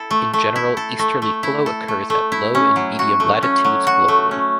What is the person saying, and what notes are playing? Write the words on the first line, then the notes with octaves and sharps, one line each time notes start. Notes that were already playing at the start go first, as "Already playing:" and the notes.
In general, easterly flow occurs at low and medium latitudes globally.
Already playing: E4 A4
A3
A3
E4
A4
A3
A3
E4
A4
A3
A3
E4
C#4
F#3
F#4
A3
C#4
F#3
F#4
A3
C#4